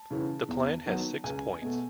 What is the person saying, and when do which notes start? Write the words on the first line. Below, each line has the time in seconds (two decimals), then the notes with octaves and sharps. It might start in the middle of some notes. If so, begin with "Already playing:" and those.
The plan has six points.
Already playing: A5
0.11 C#3 E3
0.48 E2
0.86 D#3 F#3 B3
1.24 C#2 G#5
1.62 B2 A3